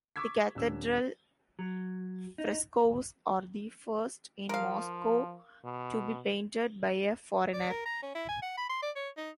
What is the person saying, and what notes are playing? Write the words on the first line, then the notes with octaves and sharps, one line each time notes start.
The cathedral frescoes are the first in Moscow to be painted by a foreigner.
C#6 D6 E6 G#6 B6
D#1 D4 E6
F#3
D#4
F3 A#4 F5
B2
D5
A#4
A#5
C#4
E4
G#5
F#5
B5
C6
D5
C#5
D#4